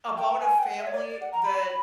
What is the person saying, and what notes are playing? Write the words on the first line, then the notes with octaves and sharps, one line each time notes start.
about a family that
G5
G#5
G5
F#5
E5
C#5
D5
D5
F#5
A#5
B5